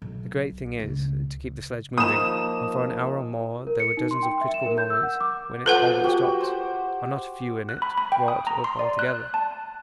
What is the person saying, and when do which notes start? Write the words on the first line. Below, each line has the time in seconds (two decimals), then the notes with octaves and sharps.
The great thing is to keep the sledge moving, and for an hour or more there were dozens of critical moments when it all but stopped, and not a few in it brought up altogether.
0.02 B1
0.80 C#2
1.98 F3 A#3 D#4 D#6 E7
3.67 A#4
3.80 C#7
3.97 D#4
4.11 C6
4.23 G5
4.41 E5
4.54 E7
4.66 A#4
4.78 G6
4.90 E6
5.03 F#5
5.21 D6
5.66 F3 A4 B4 F#5 G#5
6.04 F#4 G4 G5
6.41 C5
7.69 F#6
7.82 B5
7.98 B5
8.12 G5
8.28 D#6
8.47 A#5
8.64 C6
8.79 D5
8.99 F#6
9.34 A5